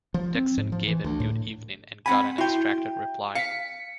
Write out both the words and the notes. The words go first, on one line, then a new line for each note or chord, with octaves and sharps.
Dickson gave him good evening and got an abstracted reply.
F3
C4
G#2
F3
E3
D2
A2
C4 F#5 G#5 B5
E4 F#4 G5 C6
F5 B6 C#7